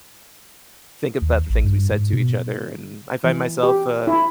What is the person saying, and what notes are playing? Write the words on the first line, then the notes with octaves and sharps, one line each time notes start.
think about the things we said to each other, and I find myself, uh,
D#2
A1
G2
G#2
B2
E3
G4
E4